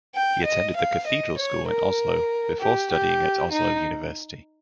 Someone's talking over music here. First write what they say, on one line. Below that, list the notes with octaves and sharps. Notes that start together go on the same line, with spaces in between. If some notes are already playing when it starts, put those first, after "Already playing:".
He attended the Cathedral School in Oslo before studying at Oslo University.
G5
D#5
F5
D#5
C#5
A#4
G4
G4
D#4